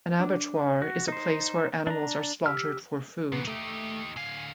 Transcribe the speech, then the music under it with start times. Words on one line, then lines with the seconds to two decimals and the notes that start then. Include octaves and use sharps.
An abattoir is a place where animals are slaughtered for food.
0.20 D4
0.82 F#4
1.08 D#4 C5
1.87 D4 A#5
2.46 G4 E6 F6
3.32 A#2 E3 B3
3.47 A3 D#4 G4
4.17 D3 F5 G#5